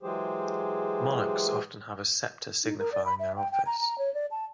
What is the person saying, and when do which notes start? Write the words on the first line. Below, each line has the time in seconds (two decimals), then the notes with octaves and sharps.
Monarchs often have a sceptre signifying their office.
0.03 E3 F#3 G#3 G4 G#4 C5
2.64 D#4
2.79 A#4
2.92 D5
3.05 B5
3.19 E5
3.36 G5
3.51 G5
3.66 A#5
3.80 A#5
3.98 C#5
4.14 D5
4.31 A5